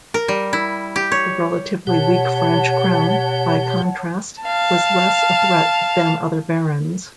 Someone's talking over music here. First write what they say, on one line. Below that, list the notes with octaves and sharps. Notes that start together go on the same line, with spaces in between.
The relatively weak French crown, by contrast, was less a threat than other barons.
A#4
G3
E4
G4
C#5
B2 G4 C#5 F#5 A5
F5 A5